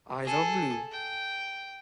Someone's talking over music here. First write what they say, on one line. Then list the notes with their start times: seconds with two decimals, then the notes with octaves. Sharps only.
Eyes are blue.
0.25 G#4 A4
0.92 G5